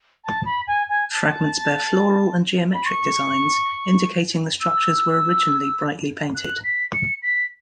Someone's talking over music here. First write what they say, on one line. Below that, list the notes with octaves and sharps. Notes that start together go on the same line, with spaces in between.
Fragments bear floral and geometric designs, indicating the structures were originally brightly painted.
A5
B5
G#5
G#5
A5
B5
C#6
E6
F#6
B6
C#7
B6